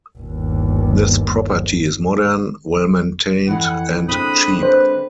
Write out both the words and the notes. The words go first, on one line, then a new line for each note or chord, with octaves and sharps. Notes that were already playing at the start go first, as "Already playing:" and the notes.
This property is modern, well maintained and cheap.
G1 D#2
F2 E3 F#5
D3 G#3 C4 B5 D#6 F#6
B4 C5